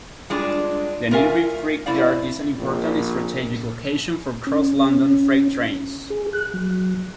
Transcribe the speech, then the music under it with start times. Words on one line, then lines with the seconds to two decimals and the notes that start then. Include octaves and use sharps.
The nearby freight yard is an important strategic location for cross-London freight trains.
0.29 G3 G#3 D4 F4
1.11 A3 F4 A#4 E5 F5 G#5
1.86 A3 E4 C5 D5 F5
2.59 A#1
4.47 C#4
6.10 G#4
6.33 F#6
6.54 F#3